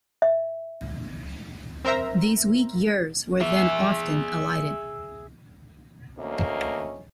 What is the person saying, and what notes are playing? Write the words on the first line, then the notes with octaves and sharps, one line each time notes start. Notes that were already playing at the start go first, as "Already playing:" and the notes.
These weak yers were then often elided.
E5
C4 A#4 C5 E5 A#5
G#4 E5
D2 A#3 C#4 D#5